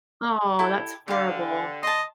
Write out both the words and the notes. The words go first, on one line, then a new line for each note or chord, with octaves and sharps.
Aw, that's horrible.
E4 G4 A4
D3 G4 F5
D#5 A5 C6